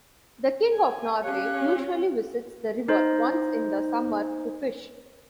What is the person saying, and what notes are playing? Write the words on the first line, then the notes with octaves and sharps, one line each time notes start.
The king of Norway usually visits the river once in the summer to fish.
G#5
C#4 G4 C#5 F5 F#6
D#4 C5 D#5